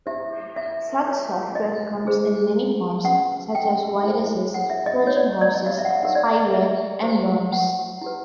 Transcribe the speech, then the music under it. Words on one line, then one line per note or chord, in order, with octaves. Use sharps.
Such software comes in many forms, such as viruses, Trojan horses, spyware, and worms.
E4 G4 C5 E5
E5
F4 A#4 C#5
D#5
E4 G#4 C5
C#4 F#4 B4 F#5
G5
E4 G#4 C5
F#5
E5
D#5
D#4 F#4 A#4 C#5
D5
D5
D#5
F5
E5
F#5
F5
D#4 G4 A#4 C#5 F#5
D5
D5
D#5
E5
E4 G4 C5
F#5
E4 G4 B4